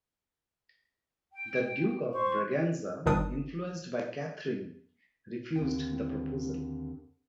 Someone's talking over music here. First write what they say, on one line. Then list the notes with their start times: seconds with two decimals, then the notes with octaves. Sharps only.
The Duke of Braganza, influenced by Catherine, refused the proposal.
1.33 G5
2.13 C5 C#6
3.06 G1 G2 D#3 D4 D#6
5.56 D#2 D3 C4 G5